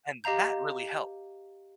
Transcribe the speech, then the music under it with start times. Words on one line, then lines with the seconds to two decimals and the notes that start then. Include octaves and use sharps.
And that really helped.
0.24 G4 D#5 F5 A#5 G6